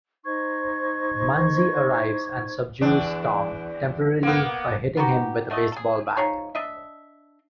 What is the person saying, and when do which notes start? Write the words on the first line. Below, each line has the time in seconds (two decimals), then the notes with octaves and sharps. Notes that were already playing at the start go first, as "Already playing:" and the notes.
Manzi arrives and subdues Tom temporarily by hitting him with a baseball bat.
0.25 D#4 C5 C#6 G#6
2.81 E2 D4
4.23 A#3 B3
4.97 B3 D#4 F#4 G4
5.50 B2 A3 F#4 D#5
5.72 G#4 A4
6.17 F3 D#4 G#4 C#5
6.55 D4 D#5 E5